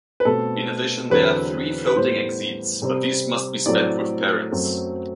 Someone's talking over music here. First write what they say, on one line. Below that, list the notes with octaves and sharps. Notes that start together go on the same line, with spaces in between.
In addition, there are three floating exeats but these must be spent with parents.
B4
B2 A3 C4 A4
E2 D3 F#3 C4 B4
B4
A2 G3 B3 C5
C3 G3 C4
A2 F#3 A3 C4 D5
F#2 F#3 A3 C4